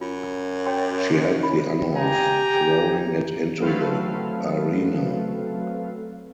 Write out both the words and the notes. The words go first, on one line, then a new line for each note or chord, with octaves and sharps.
She had the honor of throwing it into the arena.
F#2 F4
C#5 G5 C6
E4 B5
G4 G5 G#5 A#5
F#3 A3 C4 A4 B4 F5